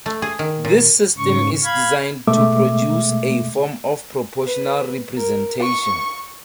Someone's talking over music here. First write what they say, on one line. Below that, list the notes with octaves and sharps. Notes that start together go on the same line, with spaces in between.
This system is designed to produce a form of proportional representation.
A3
G#4
D#3
A#2
G#2 C#3 C#6
F5 B5 G#6
B2 G#3 A3 E5 D6
B4
A#4
C#6